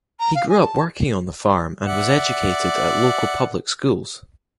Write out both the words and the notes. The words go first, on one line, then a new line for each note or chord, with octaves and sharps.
He grew up working on the farm and was educated at local public schools.
A#5
F5
G#5
A5
D5 E5 F#5